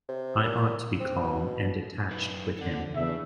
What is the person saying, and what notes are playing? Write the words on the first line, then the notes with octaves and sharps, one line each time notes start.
I ought to be calm and detached with him.
C3
A#2
C4
B2
F#2 D#4 B4
F2 D3 A4 F#5
E2 C#3 D4 E5